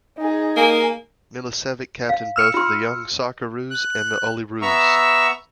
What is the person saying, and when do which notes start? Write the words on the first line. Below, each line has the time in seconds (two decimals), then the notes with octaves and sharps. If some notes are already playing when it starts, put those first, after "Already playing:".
Milicevic captained both the Young Socceroos and Olyroos.
0.18 D#4 G#4
0.56 A#3 G#5
2.09 F5
2.36 E6 F6 C#7
2.54 F4 C6
3.71 F#6
4.62 B3 E5 A#5 C#6 E6